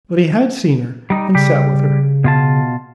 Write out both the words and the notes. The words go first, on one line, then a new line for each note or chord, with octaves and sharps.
But he had seen her, and sat with her.
G3 D#4
C#3 G3 G4
B2 F4 A5